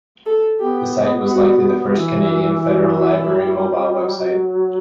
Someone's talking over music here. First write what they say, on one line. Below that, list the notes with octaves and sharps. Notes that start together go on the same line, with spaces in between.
The site was likely the first Canadian federal library mobile website.
A4
B3 G4
F#4
E3 E4
F#4
E4
G3
F#3
G3
F#3